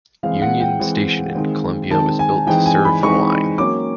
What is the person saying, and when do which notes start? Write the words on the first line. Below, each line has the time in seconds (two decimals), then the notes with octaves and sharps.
Union Station in Columbia was built to serve the line.
0.23 E3 G#3 C4 F5
0.42 F#5
0.60 G5
0.79 E3 G#3 C4
1.35 D#3 G#3 C4
1.90 D#3 G#3 C4 A5
2.19 G#5
2.47 E3 G#3 C4 D#4 G5
2.66 G#5
2.85 B5
3.02 E3 G#3 C4 D#4 C#6
3.58 F#3 A#3 C#4 D6